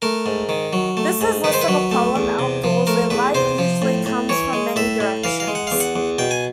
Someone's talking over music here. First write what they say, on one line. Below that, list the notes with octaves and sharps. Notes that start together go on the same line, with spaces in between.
This is less of a problem outdoors where light usually comes from many directions.
A3 A#4
G#2
D#3
F#3
A3
G#2
D#3 B4
C5
B4
F#3
A3
E2
C3
F3
A3 A#4
E2 B4
C3 C5
F3
A2
A2
E3 C#5
G#3
A2 E5
A2
E3 F5
F5
G#3
F#5
E2 F5
F#5
E2
B2 G5
G#5